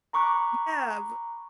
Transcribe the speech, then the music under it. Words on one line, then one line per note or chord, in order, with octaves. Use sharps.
yeah, b
A#5 B5 C#6 D6 F#6